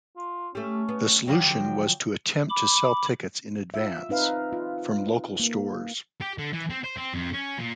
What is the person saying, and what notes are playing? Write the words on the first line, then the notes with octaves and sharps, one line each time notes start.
The solution was to attempt to sell tickets in advance, from local stores.
F4
G3 A3 C#4
B3
D3 F3 F#3 G5
B5 D6
F4 E5
C4 D#4 B4 F5
F4
A#3
G4
D3
E3
C4
C5
C4
F2
C#4
A#2